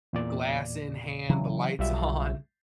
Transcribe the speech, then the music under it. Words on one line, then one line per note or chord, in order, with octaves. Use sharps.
glass in hand, the lights on?
E2 A#2 D5
C#3 E3 F#3
B1 G3 F4 E5